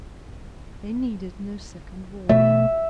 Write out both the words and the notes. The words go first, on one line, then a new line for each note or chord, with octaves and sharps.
They needed no second warning.
B2 A3 E5